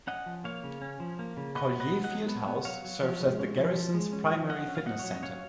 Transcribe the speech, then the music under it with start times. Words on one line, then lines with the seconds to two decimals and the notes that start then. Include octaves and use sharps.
Collier Field House serves as the garrison's primary fitness center.
0.07 C#4 D#5 F#5
0.26 F3
0.44 A#3 C#5 F5
0.64 C#3
0.82 C#4
1.00 F3
1.19 A#3
1.37 C#3
1.55 B3 B4 D#5
1.74 B3
1.80 B4 D#5
1.93 F#3
2.04 D#5 F#5
2.11 F#3
2.28 B3
2.47 B3
2.65 F#3 C#5 F5
2.85 F#3
3.02 F3
3.21 G#3
3.39 C#4
3.58 F3
3.75 F3
3.94 G#3
4.13 C#4
4.31 F3
4.50 C#4 D#5 F#5
4.68 C#4
4.75 F5
4.86 F#3 D#5 F#5
4.99 C#5
5.05 F#3
5.11 D#5
5.23 C#4 C#5 F5